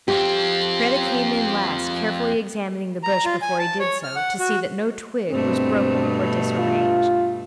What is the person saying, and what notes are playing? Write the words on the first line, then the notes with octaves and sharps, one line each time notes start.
Kreta came in last, carefully examining the bush before he did so, to see that no twig was broken or disarranged.
F2 C4 G4
A#5
F4
G#5
A5
C#5
F6
F#5
F#4
G2 B2 A3 C4
F4